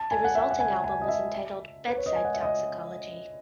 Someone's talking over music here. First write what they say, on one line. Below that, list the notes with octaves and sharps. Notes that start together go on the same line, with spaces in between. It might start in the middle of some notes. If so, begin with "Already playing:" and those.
The resulting album was entitled "Bedside Toxicology".
Already playing: A5
G#5
F#5
E5
F#5
G#5
G#5
D#5
E5
B4
C#5
D#5
G#5
F#5
E5
D#5